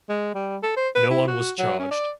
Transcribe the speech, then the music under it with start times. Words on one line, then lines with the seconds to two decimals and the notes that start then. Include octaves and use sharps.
No one was charged.
0.09 G#3
0.34 G3
0.62 A4
0.76 C5
0.95 B4
1.10 E4
1.27 F#4
1.58 F#3
1.79 C#4
1.91 D5